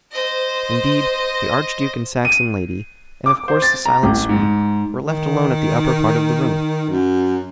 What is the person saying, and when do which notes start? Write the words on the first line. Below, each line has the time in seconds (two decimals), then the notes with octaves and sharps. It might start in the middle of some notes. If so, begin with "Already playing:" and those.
Indeed, the archduke and Saxon lady, and of course the silent suite, were left alone at the upper part of the room.
0.12 C5 D#5
2.25 D#7
3.26 D6
3.48 C5
3.62 A6
3.86 A#5
4.03 A1
4.29 G#2
5.03 D#3
6.89 F#2